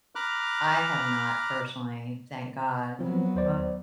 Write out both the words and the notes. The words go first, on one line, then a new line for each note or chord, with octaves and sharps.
I have not personally, thank god, run
A#5 B5 D6 F6 F#6
F3 F#3 B3 C4
D#2 C5 D5